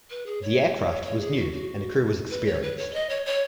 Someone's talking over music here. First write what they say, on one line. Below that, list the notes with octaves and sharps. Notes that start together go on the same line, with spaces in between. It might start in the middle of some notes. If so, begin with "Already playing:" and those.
The aircraft was new and the crew was experienced.
B4
G#4
C#5
C#5
G#4
F#4
F#4
B4
C#5
B4
C#5
D#5
C#5
C#5